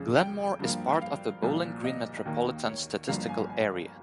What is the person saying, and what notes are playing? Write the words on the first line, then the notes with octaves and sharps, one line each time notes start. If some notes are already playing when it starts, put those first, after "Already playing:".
Glenmore is part of the Bowling Green Metropolitan Statistical Area.
Already playing: F2 C#3 G#3
G5
G2 F3 A#3
G5
F5
C2 A#2 F3
D#5
D#2 D#3 A#3
C#5
G1 G2 F3 A#3 F5
G#5
G#5